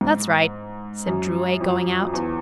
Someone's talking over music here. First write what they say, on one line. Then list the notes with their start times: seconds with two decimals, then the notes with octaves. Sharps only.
"That's right," said Drouet, going out.
0.01 G#2
1.07 F#2
1.60 F2
2.14 E2